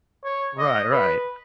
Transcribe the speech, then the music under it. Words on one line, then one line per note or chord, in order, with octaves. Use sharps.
Right, right.
C#5
D#5
B4